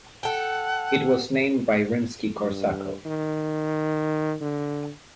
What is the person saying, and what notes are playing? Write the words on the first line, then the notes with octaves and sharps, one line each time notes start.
It was named by Rimsky-Korsakov.
A4 F#5 G5
G2
D#3
D3